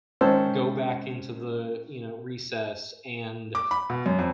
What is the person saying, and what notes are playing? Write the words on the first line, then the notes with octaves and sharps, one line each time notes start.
go back into the, you know, recess and,
G#2 D#3 C#4 C5 A5 E6
D6
B5
B2
F#2
F2